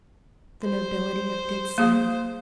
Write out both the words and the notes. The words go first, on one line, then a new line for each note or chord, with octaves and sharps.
The nobility of good sense.
C5
A#3 G#4 F5